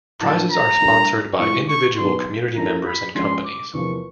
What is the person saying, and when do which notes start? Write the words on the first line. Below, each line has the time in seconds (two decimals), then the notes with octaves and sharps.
Prizes are sponsored by individual community members and companies.
0.21 A2 F#3 A#3 D4 A5
0.51 A#5
0.80 G3 A#3 D4 F4
1.39 A2 E3 G#3 C4 F4 C#6
1.68 C#6
1.97 B2 F#3 B3 D#4 F#4 C6
2.56 F3 A#3 C#4 E4 A4 A#5
2.86 B5
3.15 F3 G#3 C#4 C6
3.44 D6
3.73 E2 C3 F3 A#3 C#6